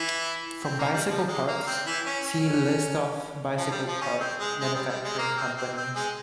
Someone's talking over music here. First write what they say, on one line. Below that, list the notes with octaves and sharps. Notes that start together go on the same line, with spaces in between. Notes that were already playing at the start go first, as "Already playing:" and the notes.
For bicycle parts, see List of bicycle part manufacturing companies.
Already playing: E3 E4
C4
A#3
G3
F3
G#3
A#3
C4
E3 E4
C#4
C#4
F3
G3
F3
C#4
C4
G#3
G#3
G3
G3
G#3
A#3
C4
C4
C4
G#3 G#4